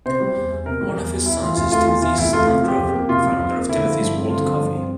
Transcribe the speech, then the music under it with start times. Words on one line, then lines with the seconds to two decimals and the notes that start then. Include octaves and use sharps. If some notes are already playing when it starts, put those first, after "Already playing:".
One of his sons is Timothy Snelgrove, founder of Timothy's World Coffee.
0.06 C3 C5
0.20 G3
0.36 E2
0.50 E2
0.66 C3 A#4
0.81 G3
0.97 E2
1.11 E2
1.26 E2 E4
1.41 E3 F4
1.57 F1 F4
1.72 A3 F4
1.87 E2 F4
2.02 E3 F4
2.18 F1 E4
2.33 A3 F4
2.48 C3 F4
2.63 F3 G4
2.78 F2
2.89 A#3 G4
3.08 C3 F4
3.24 F3
3.38 F2
3.55 A#3
3.69 D3 E4
3.84 F3
4.00 G2
4.15 C4
4.29 D3 F4
4.46 F3
4.60 G2
4.75 C4